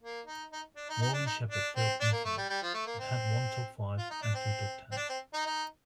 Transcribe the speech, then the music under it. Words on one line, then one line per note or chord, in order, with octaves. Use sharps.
Morgan Shepherd filled in for him, and had one top-five and two top-tens.
A#3
D#4
D#4
D4
D#4
D#4
D4
D#4
D4
C4
D4
A#3
A3
G3
G3
F3
A3
A#3
C4
F4
D#4
D4
C4
C4
D4
C4
D#4
D#4